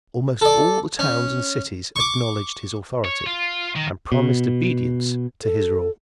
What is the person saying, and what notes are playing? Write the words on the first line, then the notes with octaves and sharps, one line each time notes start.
Almost all the towns and cities acknowledged his authority, and promised obedience to his rule.
A4 D5
C#4
C#6 D6
C#5
F4
D#3
B2
A4